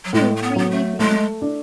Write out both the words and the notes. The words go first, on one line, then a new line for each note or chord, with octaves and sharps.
'Two--three evenings.
F#3
A2 G#3
A3
B3
F#3 B3
A3
G#3 A3
D4